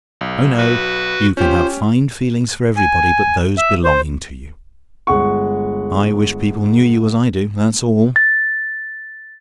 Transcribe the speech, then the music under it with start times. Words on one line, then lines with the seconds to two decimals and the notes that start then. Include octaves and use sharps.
Oh, no! you can have fine feelings for everybody but those belonging to you. I wish people knew you, as I do--that's all.
0.21 B1
0.58 F#4 B4
1.37 C#4 F4 G4 C5
2.76 G#5
3.58 E5
3.84 C5
5.07 G1 G#3 F#5 C#6
8.16 A6